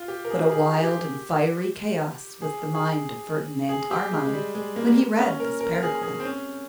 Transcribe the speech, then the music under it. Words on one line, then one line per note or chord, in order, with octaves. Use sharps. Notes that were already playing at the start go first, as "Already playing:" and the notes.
What a wild and fiery chaos was the mind of Ferdinand Armine when he read this paragraph.
Already playing: F4
G4
A#4
G#4
G4
G#4
G4
G#4
G#4
G#4
G4
G#3
G#3
G3
G#3
A#3
C#4
A#4
A#4
A#4
G#4
G#4
C4
C#4